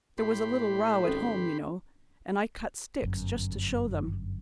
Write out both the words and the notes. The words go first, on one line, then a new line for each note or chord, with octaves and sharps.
There was a little row at home, you know, and I cut sticks just to show them.
A2 G4 B5 C6
G#1 C#4 A4
G1 F#2